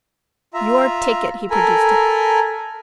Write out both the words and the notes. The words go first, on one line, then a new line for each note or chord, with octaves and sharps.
"Your ticket." He produced it.
F4 E5 A#5
A4 A#4 G#5 A#5 B5